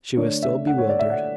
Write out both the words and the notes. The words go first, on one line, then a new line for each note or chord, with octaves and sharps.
She was still bewildered.
D3 A3 D4 C#5
E5
F#5
C#5
D5
E5
F#5